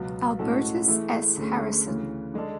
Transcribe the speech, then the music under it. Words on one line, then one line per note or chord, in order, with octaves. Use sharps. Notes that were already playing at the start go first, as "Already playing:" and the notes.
Albertis S. Harrison.
Already playing: C#2 B2 F#3 B3
A2 G#3 C#4 F#4 A4
E3 A3 E4 G#4
D2 D3 A3 C#4 G#4
D2 C#3 E3
D3 G#3 D4 A4